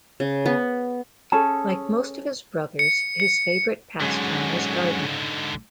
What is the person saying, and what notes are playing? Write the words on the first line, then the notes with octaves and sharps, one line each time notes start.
Like most of his brothers, his favorite pastime was gardening.
C#3
B3
C#4 G#4 A4 A5
C#7
C#7
G#2 D3 F#3 G#3 C#4